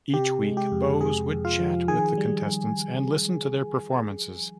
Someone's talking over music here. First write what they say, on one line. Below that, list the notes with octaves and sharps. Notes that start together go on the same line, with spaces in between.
Each week, Bowes would chat with the contestants and listen to their performances.
C3 G4
G#3
G4
F2
C3 G#4
F2
F4 F5
F3
D#3 G#4 G#5
G3